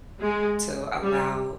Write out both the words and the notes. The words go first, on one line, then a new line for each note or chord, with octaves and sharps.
to allow,
G#3
G3